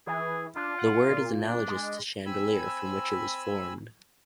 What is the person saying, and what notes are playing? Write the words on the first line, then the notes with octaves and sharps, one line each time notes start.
The word is analogous to chandelier, from which it was formed.
E3 G#4
D4 F4
F#5
A#2
D4
G#3
C4 G#5 B5 E6